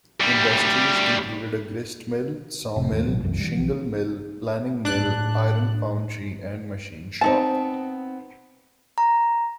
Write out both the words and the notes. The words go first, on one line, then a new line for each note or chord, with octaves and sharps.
Industries included a gristmill, sawmill, shingle mill, planing mill, iron foundry and machine shop.
D2 G3
F1 C3
D#1 D#2 G#2 A3
A1 B2 D3 F#3
F#1 C2 F#2 E3
E3 G3
A#1 E3 F3
C#2 A2 D4 F#6
B3 C4 D#4 A5
A#5